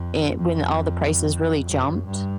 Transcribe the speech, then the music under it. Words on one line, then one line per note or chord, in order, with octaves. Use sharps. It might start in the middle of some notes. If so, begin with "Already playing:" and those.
an when all the prices really jumped
Already playing: F2
F2
F#2
G2